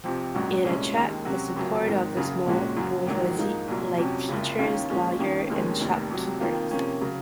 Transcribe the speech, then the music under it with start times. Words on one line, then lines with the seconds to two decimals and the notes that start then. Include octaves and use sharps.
It attracted the support of the small "bourgeoisie", like teachers, lawyers and shopkeepers.
0.04 F2 C3 F3 C4
0.34 A#1 G#2 F#3 C#4 F#4
0.64 C2 A#2 G#3 C#4
0.95 D#2 D#3 G#3
1.25 C3 F#3 C#4 F#4
1.56 F#1 F2 C#3 F#3
1.86 G#1 G#2 D#3
2.17 F#1 F#2 C#3
2.46 A#1 A#2 G#3 C#4 F#4
2.76 F#2 C#3 F#3
3.07 A#1 G#2 D#3 F#3
3.38 G#2 F3 A#3 D#4 G#4
3.68 C2 A#2 F#3
3.98 F2 C3 F#3 C#4
4.28 F#1 F2 C#3
4.59 D#2 D#3 A#3 C#4 F4
4.89 A#2 F3 G#3 C#4 F4
5.19 F2 D#3 A#3 C#4
5.50 F1 D#2 D#3 G#3 C#4
5.80 F1 D#2 D#3
6.10 F2 C3 F#3
6.40 F2 D#3 A#3 F4
6.71 C3 F3 A#3 C#4
7.01 C#3 F#3